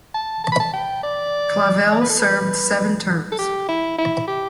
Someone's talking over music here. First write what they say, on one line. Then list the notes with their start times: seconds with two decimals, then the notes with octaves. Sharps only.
Clavelle served seven terms.
0.14 A5
0.44 A5
0.52 B5
0.60 A5
0.74 G5
1.03 D5
1.92 D5
2.01 B4
2.10 A4
2.19 B4
3.32 A4
3.39 G4
3.69 E4
3.98 E4
4.28 G4